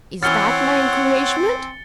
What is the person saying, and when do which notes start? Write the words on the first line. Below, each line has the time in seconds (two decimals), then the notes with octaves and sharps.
Is that my encouragement?'
0.23 E3 C4 C#5 F#5 F6 A6 C#7 G7